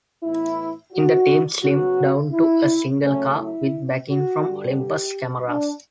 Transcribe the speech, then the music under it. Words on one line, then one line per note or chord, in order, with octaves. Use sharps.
In the team slimmed down to a single car, with backing from Olympus Cameras.
A2 E3 B3 E4
F#4
C#3 F#3 B3 F#4
E4
C#3 F#3 A3 C#4
E4
F#4
G2 D3 G3
G4
D4